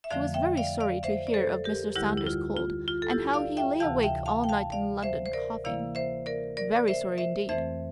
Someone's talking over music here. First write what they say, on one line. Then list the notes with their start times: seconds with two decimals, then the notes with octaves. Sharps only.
She was very sorry to hear of Mr. Saunders's cold, and how he lay awake all night in London coughing; very sorry indeed.
0.04 E5
0.10 F2 D3 F3 A3 D5 F5
0.34 E5 G5
0.57 D5 F5
0.80 D5 F5
1.03 C5 E5
1.27 D5
1.34 A4 C5
1.64 G4 A#4
1.96 D2 D3 G3 E4 G4
2.17 E4
2.27 F4
2.57 F4
2.88 F4
3.02 A4
3.10 E4 G4
3.33 D5 F5
3.57 E5 G5
3.80 D2 C3 E3 F5 A5
4.03 E5 G5
4.26 F5 A5
4.44 G5
4.49 F5 A5
4.72 D5 F5
5.03 C5 E5
5.26 C5
5.33 A#4 D5
5.64 C3 E3 A#3 E4 D5 F5
5.95 C5 E5
6.26 A#4 D5
6.57 A#4 D5
6.77 D5
6.88 C5 E5
7.18 C5 E5
7.49 F2 E3 A3 C4 C5 E5